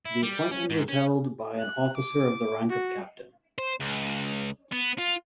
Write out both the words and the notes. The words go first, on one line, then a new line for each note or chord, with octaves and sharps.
The appointment was held by an officer of the rank of Captain.
E4
G3
C#4
G#2
C#4
F#6
D6
F#4
C5
C#2
B3
F4